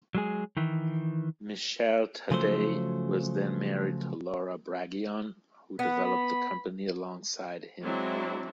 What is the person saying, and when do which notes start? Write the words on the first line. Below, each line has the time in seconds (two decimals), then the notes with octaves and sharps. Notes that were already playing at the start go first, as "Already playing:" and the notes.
Michele Taddei was then married to Laura Braggion who developed the company alongside him.
0.15 F#3 G#3 G#4
0.57 D#3 E3
2.31 C#3 F3 F#3 A3 C5
5.79 B3 B4
6.04 B5
7.82 F#3 G#3 C4 D4 E4